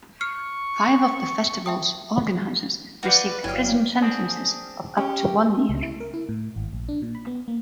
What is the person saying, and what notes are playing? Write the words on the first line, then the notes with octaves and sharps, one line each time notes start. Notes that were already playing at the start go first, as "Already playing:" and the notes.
Five of the festival's organizers received prison sentences of up to one year.
C#6 F6 C7 C#7
E5 G5 D#6
F#4 B4 D5 F5 G5
G1 F#3 E4 C#5 D5 F5 G5 G#5
C4 D4 G#4
C#4 G4 C#5
C#2
E4
A#4
E4
A2
G#1
A#1
D4
A#2
B5
B3
A#3